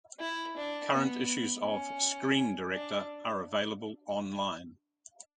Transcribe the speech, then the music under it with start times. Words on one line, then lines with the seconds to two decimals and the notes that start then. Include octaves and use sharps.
Current issues of "Screen Director" are available online.
0.20 E4
0.57 D4
0.93 B3
1.65 C#4
2.74 D4